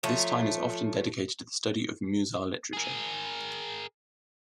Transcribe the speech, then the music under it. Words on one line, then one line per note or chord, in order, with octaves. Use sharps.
This time is often dedicated to the study of Musar literature.
F3 A3 C#5 A#5
G#4 A#4